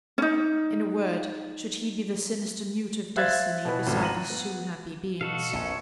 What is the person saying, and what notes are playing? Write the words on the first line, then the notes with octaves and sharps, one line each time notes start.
In a word, should he be the sinister mute of destiny beside these two happy beings?
C#4 D#4
C5 E5 F5 F#6 G#6 A6
B2 E3 B4
G#1 C#2 A3
A#5 D#7 F#7
B3
B2 F#4 A4 F5
A#1 F2 A#2 F3 A4 C#5